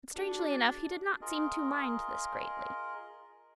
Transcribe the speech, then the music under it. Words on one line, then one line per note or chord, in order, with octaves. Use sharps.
But strangely enough, he did not seem to mind this greatly.
D4 F#4 G#4
F4 G#4 A#4 D#5